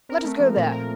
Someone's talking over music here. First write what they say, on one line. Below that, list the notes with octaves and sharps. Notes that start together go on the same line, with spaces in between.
Let us go there!
C4 A#4
A3
F3
A#2
F3 A#4